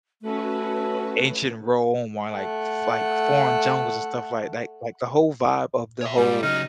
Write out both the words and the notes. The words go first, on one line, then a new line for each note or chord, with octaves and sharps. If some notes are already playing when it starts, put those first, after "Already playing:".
ancient Rome or, like, f like, foreign jungles and stuff like that, like the whole vibe of the whole
A3 C#4 F#4 B4
A3 F#5
C#5 E5
G#2 G3
C#3 F#3 D#4 F6